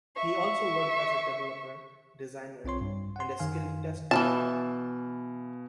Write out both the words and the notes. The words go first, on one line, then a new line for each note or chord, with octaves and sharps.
He also worked as developer, designer, and skilled test driver.
E5 C#6
B1 C4 F4 C#5 C6
G2
F#5 C6
F#2 D#3 F5 G#5
B2 E3 F3 F5 G#5 A5